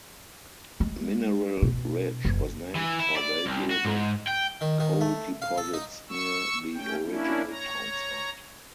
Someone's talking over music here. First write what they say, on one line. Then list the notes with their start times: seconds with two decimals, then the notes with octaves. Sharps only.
Mineral Ridge was named for valuable coal deposits near the original town site.
0.80 G#3
1.62 B2
2.25 F#1
2.75 E3
2.99 E4
3.17 D5
3.46 C2
3.70 F#4
3.85 G#2
4.27 G5
4.61 D#3
4.80 D#3
5.01 A3
5.42 F5
5.58 A4
5.73 D#4
6.09 C#6 E6
6.75 A3 C#4 G5
7.06 A#3 C#4 D4 E4
7.50 C#5 A#5